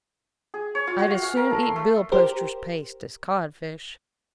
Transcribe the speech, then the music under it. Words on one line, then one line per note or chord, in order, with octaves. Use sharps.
"I'd as soon eat billposter's paste as codfish."
G#4
C#5
F4
F#4
F5
F5
A#4
A4
C6
A3
G4 A#4 C5